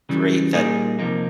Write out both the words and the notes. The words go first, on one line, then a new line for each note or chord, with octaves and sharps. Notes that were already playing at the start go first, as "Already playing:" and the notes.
great that,
C#3 E3 G3
A#2 G3 A#3 D#4 G#4
F2 C3 F3 A#3 D#4